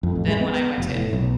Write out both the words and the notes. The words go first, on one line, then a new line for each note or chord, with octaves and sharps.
than when I went in.
F2
A1
G#3
B3
F1
A2
B1